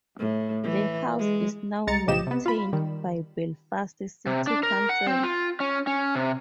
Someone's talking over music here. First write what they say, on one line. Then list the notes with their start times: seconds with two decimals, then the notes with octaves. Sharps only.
The house is now maintained by Belfast City Council.
0.19 A2
0.63 E3
1.18 G#3
1.87 C2 G#3 A#5 A6 C#7
2.07 B1 A2 C#3 G4 D#5 E7
2.27 C3 B3
2.46 F4 B5
2.73 D#3 G3
4.26 C3
4.47 D4
4.63 A#4
4.89 F#5
5.07 C4
5.23 F4
5.60 C#4
5.87 C#4
6.15 C3